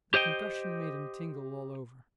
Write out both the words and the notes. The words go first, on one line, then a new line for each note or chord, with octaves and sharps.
The concussion made him tingle all over.
G4 C5 D#5 G5